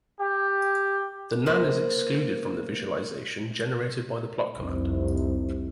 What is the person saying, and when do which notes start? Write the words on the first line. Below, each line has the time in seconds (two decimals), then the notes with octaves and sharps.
The NaN is excluded from the visualization generated by the plot command.
0.20 G4
1.46 A#3 B4 C5
4.58 F1 C2